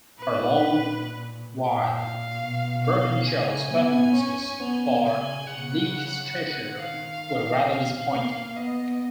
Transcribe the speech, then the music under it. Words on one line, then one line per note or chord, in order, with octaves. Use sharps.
For a long while Birkenshaw's performances for Leicestershire were rather disappointing.
A#2 B4
A#2
F5
B2
F5
C#3 G#5
B3
C#4
B3
C#3 G#5
C#3 F#5
D#3
F5
F5
A#3
B3 D#5